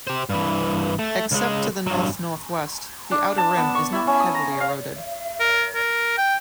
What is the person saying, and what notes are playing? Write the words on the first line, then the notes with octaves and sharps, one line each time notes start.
Except to the north-northwest, the outer rim is not heavily eroded.
G4 C5
G2 E3
A3
C#2 G#3
G2 F#3
D4
A5
B3
C#6
E4
C#4
D#6
A#5
F5
A#4
A#4
G5